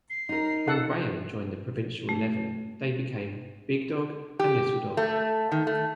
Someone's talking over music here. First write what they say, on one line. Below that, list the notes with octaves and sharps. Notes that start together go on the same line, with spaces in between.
When Graeme joined the provincial eleven they became "Big Dog" and "Little Dog".
C7
D#4 A#4
A4 F#5
A3
G4
A3
D#3
A3